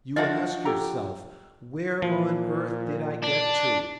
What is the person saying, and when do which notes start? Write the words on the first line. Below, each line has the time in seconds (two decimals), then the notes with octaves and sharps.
You ask yourself, Where on earth did I get to?
0.16 F3 D4 F#4 D#5 E5
0.65 G4 A4 A#5
2.02 A#2 F3
3.23 D4